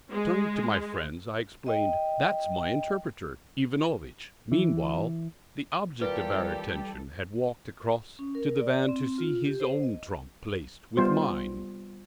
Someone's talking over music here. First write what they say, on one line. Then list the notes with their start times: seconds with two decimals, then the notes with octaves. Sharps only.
Turning to my friends, I explained, "That's my interpreter, Ivanovitch." Meanwhile, the object of our attention had walked across to the van to see his own trunk placed with mine.
0.11 G#3
1.67 D#5 G5
4.52 E3
6.01 A#2 E3 G3 G4 A4 B4
8.19 C#4
8.35 A#4
8.60 D5
8.89 C4
9.18 F4
9.46 G4
9.60 C5
9.83 D#5
10.97 G3 B3 F4 C5